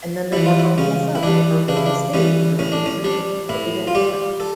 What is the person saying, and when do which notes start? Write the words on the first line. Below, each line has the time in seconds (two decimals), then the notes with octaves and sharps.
And then they're more prone to mess up and ma or make a mistake or do something that they don't want.
0.32 E3 G3 E4
0.46 F4
0.59 E4
0.78 C#3 C#4
1.15 E4
1.23 E3 G3 D4
1.68 C#3 D4
1.77 E4
1.86 D4
2.14 E3 G3 C#4
2.59 A2 C#4
2.72 D4
2.86 C#4
3.04 G3 D4
3.49 A2 E4
3.87 F4
3.95 G3 G4
4.40 A4